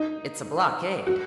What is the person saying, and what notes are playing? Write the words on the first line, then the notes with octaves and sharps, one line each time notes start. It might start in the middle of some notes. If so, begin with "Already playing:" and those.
"It's a blockade."
Already playing: D#4
F#4